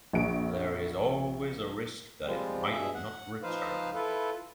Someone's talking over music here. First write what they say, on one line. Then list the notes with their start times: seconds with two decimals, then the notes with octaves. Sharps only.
There is always a risk that it might not return.
0.13 A#1 D7
2.23 F3 G3 G#3 C4
2.70 G2 B2 G#4 E5
2.95 F#5
3.43 F3 D#4 B4 C5 F5
3.94 E4 F4 A4 B4